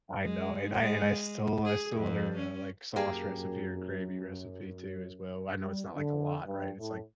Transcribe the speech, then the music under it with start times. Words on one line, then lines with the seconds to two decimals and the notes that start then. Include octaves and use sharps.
I know. And I and I stole I stole her, uh, like, sauce recipe or gravy recipe, too, as well. I know it's not, like, a lot, right? It's like
0.22 G#3
0.77 G#3
1.65 G#4
1.96 F2
2.37 C#4
2.96 F#2 A#3 G4 G#4
5.62 G3
5.95 D3
6.47 G2
6.79 A2